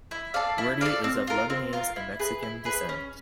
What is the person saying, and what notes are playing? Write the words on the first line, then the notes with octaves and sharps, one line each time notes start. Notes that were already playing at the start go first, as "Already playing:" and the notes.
Wardy is of Lebanese and Mexican descent.
E4
A4 D5 F5
E4
A4 D5 F5
C4
F4 A#4
C4
F4 A#4
E4
G#4 B4
E4
G#4 B4
C#4